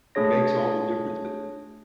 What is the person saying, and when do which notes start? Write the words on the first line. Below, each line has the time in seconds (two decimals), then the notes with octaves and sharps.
makes all the difference that
0.15 A3 D4 G#4 C#5 A#6